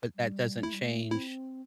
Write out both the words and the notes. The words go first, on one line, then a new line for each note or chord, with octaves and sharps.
but that doesn't change,
G3
A3 E4
G3
A3
C4 E4